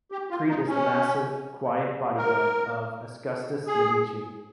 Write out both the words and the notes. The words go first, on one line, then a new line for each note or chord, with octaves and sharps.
Crete is the massive, quiet bodyguard of Augustus Medici.
G4
F4
D#4
C#4
A#4
G#4